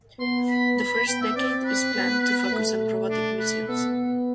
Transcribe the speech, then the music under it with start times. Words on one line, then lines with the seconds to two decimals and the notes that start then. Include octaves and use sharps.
The first decade is planned to focus on robotic missions.
0.19 B3 C6
0.49 B5
0.78 B5
0.92 B5
1.07 B3 G5
1.22 E5
1.36 C4 D5
1.65 B4
1.94 B3
2.52 A3
3.10 D4
3.39 B4
3.68 B3 A4